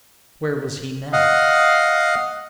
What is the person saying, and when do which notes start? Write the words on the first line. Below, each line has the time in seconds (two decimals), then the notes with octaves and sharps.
Where was he now?
1.13 D#5 F5 F#5